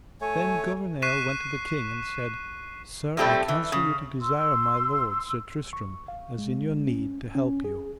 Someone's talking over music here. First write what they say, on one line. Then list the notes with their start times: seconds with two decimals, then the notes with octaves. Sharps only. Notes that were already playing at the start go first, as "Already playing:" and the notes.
Then Gouvernail went to the king and said: Sir, I counsel you to desire my lord, Sir Tristram, as in your need to help you.
0.21 A3 C#5 G#5
1.02 C#6 F#6 B6 C7 D#7 E7
3.17 A2 C3 G3 A3 C4
3.48 E3
3.72 C#3
4.20 C6 E6
5.73 C#6
6.08 F5
6.38 G#3
6.87 C#4
7.35 C#4
7.64 G#4